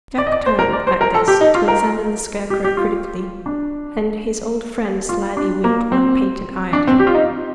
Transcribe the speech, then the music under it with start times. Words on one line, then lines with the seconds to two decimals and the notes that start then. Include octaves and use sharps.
Jack turned, at this, to examine the Scarecrow critically, and his old friend slyly winked one painted eye at him.
0.18 D5
0.27 D#5
0.32 D5
0.46 C5
0.59 A#4
0.73 D5
0.87 C5
1.01 A#4
1.14 A4
1.28 G4
1.41 D#4
1.55 F4
1.68 A#4
2.50 G4
2.64 G4
2.77 F4
3.46 D4
5.09 F4
5.37 D4
5.64 A#3
5.92 C4
6.73 D4
6.87 C4
6.99 G4
7.07 F4
7.14 D#4